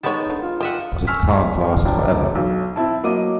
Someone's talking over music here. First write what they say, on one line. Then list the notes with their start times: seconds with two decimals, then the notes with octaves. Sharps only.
But it can't last for ever.
0.03 G#3 B3 D#4 G4 C#5 A5
0.30 D3
0.42 F4
0.60 G4 D#5 E5 F#5
1.07 G#5 C#6 E6 F6 B6
1.86 E1 D4 G5
2.35 B1
2.76 C4 E4 A5
3.03 F#3 A#3 D#5 D6 D#7